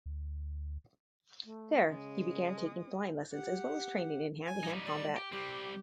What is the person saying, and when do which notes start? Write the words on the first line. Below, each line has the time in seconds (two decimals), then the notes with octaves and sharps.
There, he began taking flying lessons as well as training in hand-to-hand combat.
0.06 D2
1.45 A3
1.88 C#3 G#3 D#6
3.31 G4 F#5
4.46 G#5
4.63 G3 D#4
4.86 D5
5.16 G4
5.32 G3 C4 G4